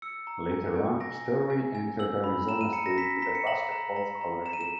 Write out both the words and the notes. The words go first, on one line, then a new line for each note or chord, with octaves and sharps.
Later on, Storey entered Arizona state with a basketball scholarship.
E6 C#7
A#5
G#5
G#5
G#5 A#6
G#5
G#5
G#5
E6 F#7
B5
A#5 E7
D#7
A#5 C#7
A#6
A#5 B6
A#5 B6
C#7
A#5 F#7
A#5
A#5
A#5
A#5 E7
D#7
E7